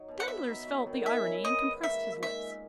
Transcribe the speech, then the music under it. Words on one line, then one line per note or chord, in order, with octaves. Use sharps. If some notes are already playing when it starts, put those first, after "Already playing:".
Danglars felt the irony and compressed his lips.
Already playing: F#3 D#4
B2
F#5
B3 E5
D#4
F#3
D#3
C#4 E5
E4
E3 D#5
G#2
A#3 E5
D#4
G#3 E5
A#2